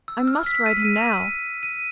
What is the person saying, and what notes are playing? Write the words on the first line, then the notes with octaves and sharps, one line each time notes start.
I must ride him now.
E6
F6
B6
D#7
D#7
D#7